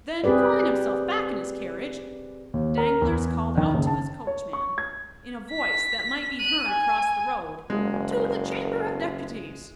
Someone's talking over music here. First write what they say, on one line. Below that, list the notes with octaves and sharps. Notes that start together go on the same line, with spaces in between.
Then, throwing himself back in his carriage, Danglars called out to his coachman, in a voice that might be heard across the road, "To the Chamber of Deputies."
C4 G4 G#4 B4 D5
D#2
A#4
E2
D#3
F#1
A5
C#5
C#6
G#6
B6
F#6 D#7
G#5
F#1 G#3